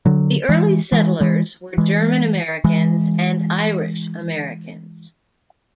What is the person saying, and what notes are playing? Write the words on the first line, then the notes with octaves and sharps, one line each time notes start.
The early settlers were German-Americans and Irish-Americans.
D3 F#3
E3 G#3
E3 G#3
E3 G#3
E3 G#3
E3 G#3